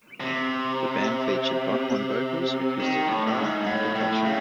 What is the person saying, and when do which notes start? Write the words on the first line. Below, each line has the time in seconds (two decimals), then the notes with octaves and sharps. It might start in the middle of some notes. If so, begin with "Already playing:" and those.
The band featured Bono on vocals, acoustic guitar, and percussion.
0.20 C3
2.80 D#3
3.08 A2
3.27 A2
3.38 G#2
3.66 A2
3.95 A2
4.25 C#3